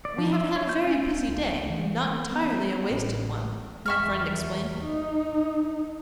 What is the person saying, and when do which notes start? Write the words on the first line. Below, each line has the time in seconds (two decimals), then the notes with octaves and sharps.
"We have had a very busy day, and not entirely a wasted one," my friend explained.
0.05 D5
0.18 F3
0.33 E5
0.56 C#5
0.69 G6
0.87 C#4
1.28 C#2
1.70 E3
2.32 B3
2.90 A1
3.86 E2 E5 C#6 F6
4.82 D#4